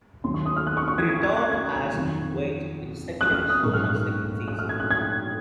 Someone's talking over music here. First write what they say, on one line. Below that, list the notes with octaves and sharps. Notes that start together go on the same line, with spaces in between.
He returned as Wade in the second episode of the second season.
D#2 D#3 F#3 C6
C#6
D#6
F6
F#6
C#6
C#6
G#6
G#6
G#6
F#6
G#6
F2 D#3 F#3
F#6
F6
D#6
A#1 G#2 F#3 C#6
F6
F#6
F#6
F6
G#6
F#6
G#6